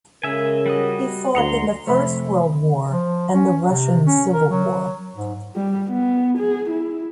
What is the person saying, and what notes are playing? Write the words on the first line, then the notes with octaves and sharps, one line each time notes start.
He fought in the First World War and the Russian Civil War.
C#3 G#3 A#4 E5 G#5
G3 F#4 D#5
D2 F#5 A#5 C6
F2 C3 A3 C5 E5 B5
F3
C#4
C3
C#4
A#4
F#3
G#2
G3
B3
G#4
E4